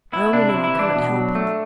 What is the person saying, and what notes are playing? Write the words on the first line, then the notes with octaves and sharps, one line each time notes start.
I only know I cannot help it.
B3 E4
C3 D4
C3 E4
E4
E3
D4
B2
F#3
A3